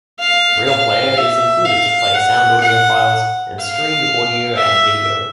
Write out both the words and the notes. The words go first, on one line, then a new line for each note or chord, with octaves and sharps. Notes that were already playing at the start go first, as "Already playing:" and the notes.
RealPlayer is included to play sound audio files and streamed audio and video.
F5
F5
E5
F5
F#5
F#5
F5
E5